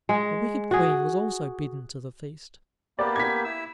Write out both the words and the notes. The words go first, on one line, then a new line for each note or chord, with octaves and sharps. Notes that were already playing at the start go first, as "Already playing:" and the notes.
The wicked Queen was also bidden to the feast.
G#3
F#4 G#4
A#3 B3 G4 D5
G#6 B6
E4 E6